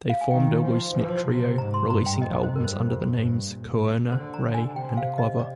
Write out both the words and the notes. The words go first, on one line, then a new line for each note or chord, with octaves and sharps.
They formed a loose-knit trio, releasing albums under the name Koerner, Ray and Glover.
F5
G#5
D#3 G5
F3
F3
C3
G#2 A#5
C6
G2 A#5
G5
F2 D#5
C5
G2 A#4
C5
F2
G2
A#2
D3 C5
A#5
D3
G#5
C3 G5
F5
D#5
D5